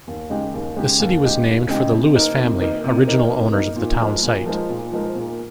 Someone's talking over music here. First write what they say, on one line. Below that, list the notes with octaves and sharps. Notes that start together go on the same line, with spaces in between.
The city was named for the Lewis family, original owners of the town site.
D#2
C#3 G#3 D#4 G4
D#2
C#3 G#3 D#4 G4
D#2
C#3 G#3 D#4 G4
D#2
C#3 G#3 D#4 G4
C3
D#3 A#3 D#4 A#4
C3
D#3 A#3 D#4 A#4
C3
D#3 A#3 D#4 A#4
C3
D#3 A#3 D#4 A#4
A#2
F3 G#3 D#4 A#4
A#2
F3 G#3 D#4 A#4
A#2
F3 G#3 D#4 A#4
A#2